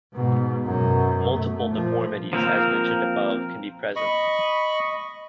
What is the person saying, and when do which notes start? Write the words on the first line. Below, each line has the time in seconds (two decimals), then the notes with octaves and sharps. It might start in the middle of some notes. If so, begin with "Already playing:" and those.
Multiple deformities, as mentioned above, can be present.
0.13 G#2 B2
0.65 F#2 B2
1.34 A3
1.67 A#2 F3
2.33 F3 A#3 C4 A#4
3.96 D#5 B5 C#6